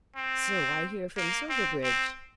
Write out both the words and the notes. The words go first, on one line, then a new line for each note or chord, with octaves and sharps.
"So I hear from Silverbridge."
C4
A#3
C4
C4